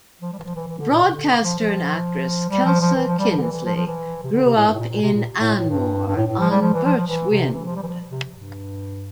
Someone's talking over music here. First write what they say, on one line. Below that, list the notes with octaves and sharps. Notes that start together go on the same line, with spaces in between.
Broadcaster and actress Kelsa Kinsly grew up in Anmore on Birch Wynd.
F3
G3
E3
F3
E3
E3
D3
A#2
C3
D3
F3
F3
G3
F3
F3
E3
F3
G3
F3
D3
E3
E3
F3
F3
E3
C3
D3
C3
A2
G2
A2
A#2
A#2
C3
A#2
A2
A2
G2
G2
A2
A2
F3
G3
F3
E3
F3
F3
E3
C3
E3
F3
G3
E3
F3
C3
G2